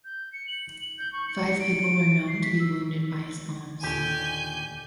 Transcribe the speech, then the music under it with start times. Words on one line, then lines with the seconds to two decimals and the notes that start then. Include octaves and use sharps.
Five people were known to be wounded by his bombs.
0.05 G6
0.33 C#7
0.47 F#7
0.98 G6
1.13 C#6
1.28 C#7
1.60 D7
2.28 C7
2.43 B6
2.60 E6
3.83 D#2 A#2 D3 G4 G#5 G6